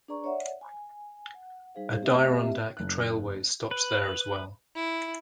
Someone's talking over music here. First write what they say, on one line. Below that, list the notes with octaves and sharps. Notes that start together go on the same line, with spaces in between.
Adirondack Trailways stops there as well.
D4 G#4 B4 D5 A#5 C#6
C#5 D5 E5 F#5
G#5
F#5
G3 D#4 G#4 C5 F5
A3 C4 G4 D#5 E5
F#1 F#6
B4
E4